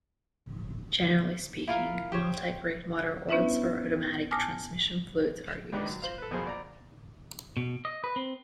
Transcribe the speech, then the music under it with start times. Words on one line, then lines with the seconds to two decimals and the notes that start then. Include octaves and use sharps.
Generally speaking, multi-grade motor oils or automatic transmission fluids are used.
1.67 E4 F4 A#4
2.12 G4 C5 C#5
3.29 B3 C#4 D4 E4 B4 E5
4.31 G#5 A5 D6 D#6 F6 A#6
5.72 C#2 G#2 D#3 D4 G4 B4
5.86 F#2
6.02 F4 C5 F5
6.18 A4 B4
6.31 B1 F2 B2 A#3 G#4 C5
6.45 A#1 D5 A#5
7.57 B2
7.85 D#5
8.04 B4
8.16 C4